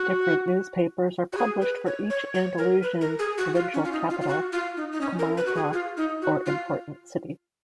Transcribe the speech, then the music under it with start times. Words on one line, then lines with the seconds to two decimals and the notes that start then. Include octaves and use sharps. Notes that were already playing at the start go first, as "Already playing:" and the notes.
Different newspapers are published for each Andalusian provincial capital, comarca, or important city.
Already playing: F#4
1.33 F#4
1.37 G#4
1.62 B4
1.86 C#5
2.10 C#5
2.35 C#5
2.58 A#4
2.83 B4
3.01 A#4
3.19 G#4
3.38 F#4
3.55 F4
3.74 C#4
3.85 F4
3.92 D#4
4.10 F4
4.21 F4
4.28 F#4
4.53 F4
4.77 D#4
4.92 D#4
5.01 C#4
5.19 A#4
5.37 B4
5.46 F#4
5.55 G#4
5.73 F4
5.97 D#4
6.22 F#4
6.46 F4